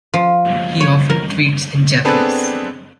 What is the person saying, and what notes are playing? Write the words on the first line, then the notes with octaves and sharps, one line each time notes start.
He often tweets in Japanese.
F3
C#5
A#4
B3 C4 D4 G#4 A4 B4